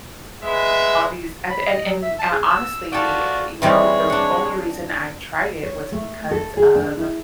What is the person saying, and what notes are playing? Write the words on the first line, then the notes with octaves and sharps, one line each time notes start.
all these oth and and, uh honestly, you know, the only reason I tried it was because of
G#3 B3 B4 E5
B5
D#5
F#3
E5
A5
G#4
E6
F4 F#4 A4 D5 G5
E3 G3 G#3 C4 C#5
D4 F#5
C#5
A3
A4
G#4
D4
E4